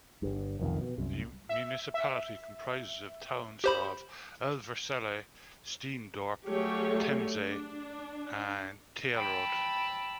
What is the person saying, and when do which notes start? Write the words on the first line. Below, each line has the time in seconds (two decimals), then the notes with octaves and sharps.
The municipality comprises the towns of Elversele, Steendorp, Temse and Tielrode.
0.22 G1 G2
0.60 F1 B1 F2 D#3
0.81 B2
0.98 C2 F#2
1.49 E5
1.94 E5
3.64 G4 C5 B5
6.48 F#3 G3 A3 G4 G#4 C#5
7.37 D4
9.15 G5 A5 B5 E6